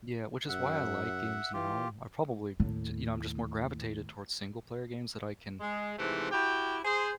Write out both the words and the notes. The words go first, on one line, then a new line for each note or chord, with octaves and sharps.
yeah, which is why I like games now. I probably, t you know, I'm, just, more gravitated towards single-player games that I can
F#2 E5 F#5
E3 F4 G4
D#2 A2
G#3
G#2 C3 E3 F3 A3
E4 F#4 G4 G5
G#4 C5